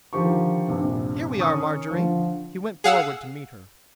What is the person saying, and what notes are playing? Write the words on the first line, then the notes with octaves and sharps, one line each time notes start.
"Here we are, Marjorie." He went forward to meet her.
D3 D#3 F3 G4 C#6
A#1 G2 C3
D#3 C#4 C#6 D#6
D3 F3
G#4 F5 F#5 E6